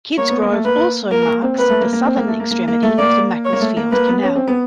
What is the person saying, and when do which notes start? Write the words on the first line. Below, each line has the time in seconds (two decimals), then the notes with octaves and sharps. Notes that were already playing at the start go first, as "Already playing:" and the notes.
Kidsgrove also marks the southern extremity of the Macclesfield Canal.
0.18 A#3 C#5
0.30 B3
0.42 A#3
0.53 A3
0.65 A#3 B4
1.11 A#3 A#4
1.27 A#3
1.42 C4
1.58 A#3 B4
1.70 A3
1.81 A#3
1.93 A#3
2.05 C4
2.17 A#3
2.28 A3
2.40 A#3
2.51 A#3
2.68 A#3
2.83 A3
2.98 A#3 D5
3.45 C#5
3.53 A#3
3.61 A3
3.77 A#3
3.92 A#3 B4
4.08 B3
4.23 C#4
4.35 C4
4.48 B3